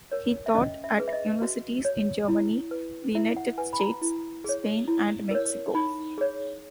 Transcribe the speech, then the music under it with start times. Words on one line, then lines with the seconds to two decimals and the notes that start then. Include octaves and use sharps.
He taught at universities in Germany, the United States, Spain, and Mexico.
0.12 A#4 C#5
0.46 E5
0.55 C#4 D#5
0.84 E5
0.99 G#4 B4
1.08 E5
1.13 D#5
1.42 F#4
1.85 C#5
2.28 E4
2.71 B4
3.15 E4 E5
3.37 F#5
3.58 B4 G#5
3.73 B5
3.80 A#5
4.02 E4
4.44 G#4 C#5
4.88 E4
5.31 A#4 C#5
5.75 D#4 B5
6.18 G#4 C#5